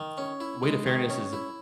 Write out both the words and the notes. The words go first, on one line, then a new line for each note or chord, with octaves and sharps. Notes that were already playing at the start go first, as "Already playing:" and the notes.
the way to fairness is
Already playing: D#3
C#4
E4
G#3
D#3
C#4
E4